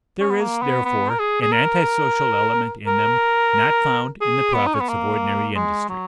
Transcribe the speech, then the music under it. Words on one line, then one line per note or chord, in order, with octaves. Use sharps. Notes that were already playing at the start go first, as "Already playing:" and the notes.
There is, therefore, an antisocial element in them not found in the profits of ordinary industry.
C#4
B3
A#3
B3
B3
A#4
G#4
G#4
A#4
A#4
G#4
B3
D#4
C#4
B3
A#3
G#3
F#3